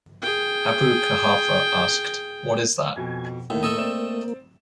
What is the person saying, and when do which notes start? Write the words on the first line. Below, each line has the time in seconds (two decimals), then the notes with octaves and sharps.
Abu Quhafa asked, What is that?
0.22 G#4 G5
2.96 F2 B2 G#5
3.50 D#2 A2 A#3
3.63 A2 A3 A4 D#5
3.77 C4 D5 E7